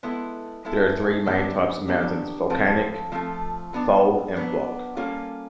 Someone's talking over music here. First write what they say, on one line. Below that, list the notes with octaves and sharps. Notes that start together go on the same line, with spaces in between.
There are three main types of mountains: volcanic, fold, and block.
G#3 B3 E4 A4
G#3 B3 E4 A4
D3 F#3 B3 D4 G4
D3 F#3 B3 D4 G4
F3 A3 C4 F4 A4
F3 A3 C4 F4 A4
F#3 B3 D4
F#3 B3 D4
G3 A#3 C#4 F4 A4